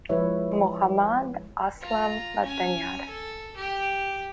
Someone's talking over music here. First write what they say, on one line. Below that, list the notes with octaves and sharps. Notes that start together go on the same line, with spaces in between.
Mohammad Aslam Watanjar.
F3 G#3 E4 B4 C#5 E5
F4 A#5
C#4 G#5
A4
G4